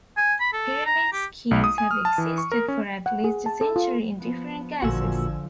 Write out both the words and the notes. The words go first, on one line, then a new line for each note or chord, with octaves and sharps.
Pyramid schemes have existed for at least a century in different guises.
G#5
B5
A4
A#5
G4
B1
D#6
G#5
F6
A5
E3
C#6
A#4
C#4
F#5
G#4
A5
A4
F4
F3 B3
A1 A#2 D3 F3 F#4 G#5 E6